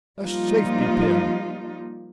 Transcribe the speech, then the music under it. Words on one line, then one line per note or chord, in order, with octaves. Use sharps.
A safety-pin! ...
F3 G3 A#3 D#4 F4